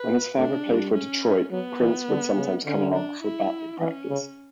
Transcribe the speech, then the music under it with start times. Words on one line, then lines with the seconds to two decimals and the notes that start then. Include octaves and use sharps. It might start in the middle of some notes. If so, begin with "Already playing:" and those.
When his father played for Detroit, Prince would sometimes come along for batting practice.
Already playing: B4
0.09 B3
0.37 A3 D4
0.67 G3
0.94 C#4
1.51 F#3 B3
1.80 E3
2.09 D3
2.37 C#3
2.65 D3 C#4
2.94 D4
3.23 E4
3.79 E3 C#4
4.09 C#3